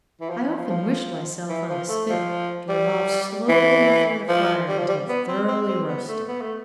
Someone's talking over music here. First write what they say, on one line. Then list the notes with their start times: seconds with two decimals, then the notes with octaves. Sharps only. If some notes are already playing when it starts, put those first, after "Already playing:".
I often wished myself on a spit, to revolve slowly before the fire until thoroughly roasted.
0.21 E3
0.30 F3
0.43 E3
0.56 F3
0.69 F3
1.49 E3
1.69 F3
1.89 A3
2.09 F3
2.69 G3
3.49 E3
4.29 F3
4.68 G3
4.78 F3
4.88 G3
5.08 B3
5.28 C4
5.48 C4
5.68 C4
5.88 B3
6.08 A3
6.28 B3
6.41 A3